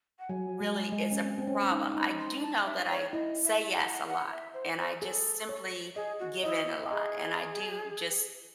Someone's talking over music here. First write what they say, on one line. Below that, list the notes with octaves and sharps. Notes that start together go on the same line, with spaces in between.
really is a problem. I do know that I say yes a lot, and I just simply give in a lot, and I do just,
F#5
F#3 G#5
G#3
G#3
C#4
C4
C4
C#4
C#4
D#4
D#4
C6
A5
E5
C#5
E4 D#5
E5
F#5
F#5
E5
C5
C5
G#4 A4
C#5
G#4 D#5
F#4
E4 D#5
E4
E5
G#4 D#5